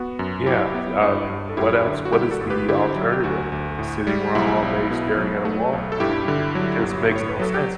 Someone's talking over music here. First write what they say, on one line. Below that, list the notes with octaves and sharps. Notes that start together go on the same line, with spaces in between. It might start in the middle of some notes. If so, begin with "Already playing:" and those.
Yeah, so, um, what else what is the alternative? Sitting around all day staring at a wall? I mean, did it just makes no sense.
Already playing: B3 F#4
F#2
F#3 E4 G4
B3
G2
G2
A4
F#2 E4 G4
D3
F#4
G3 E4 G4
F#4 A4
G1
G4 B4
D3 E4 G4
F#3
G4
D2 F#4
D2
A2
G3
B1 E4
B1
B2
F#3
A3
B1
A4
G2 E4 G4
D3
F#3
G1
A2 C#5
B4
F#3 A4
G4